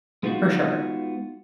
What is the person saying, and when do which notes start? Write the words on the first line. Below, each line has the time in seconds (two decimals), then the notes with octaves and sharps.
for sure.
0.23 G#3 B3 D#4 F4 F#4